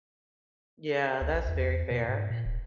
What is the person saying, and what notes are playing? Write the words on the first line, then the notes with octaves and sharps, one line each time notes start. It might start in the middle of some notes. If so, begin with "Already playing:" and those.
Yeah, that's very fair.
D2
A#1
E2
E2
B2
G#2
A#2
D1